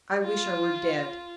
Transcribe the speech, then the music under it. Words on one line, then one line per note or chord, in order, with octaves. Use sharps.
I wish I were dead.
F4